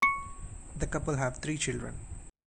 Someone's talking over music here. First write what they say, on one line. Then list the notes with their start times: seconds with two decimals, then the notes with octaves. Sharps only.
The couple have three children.
0.02 C#6 C#7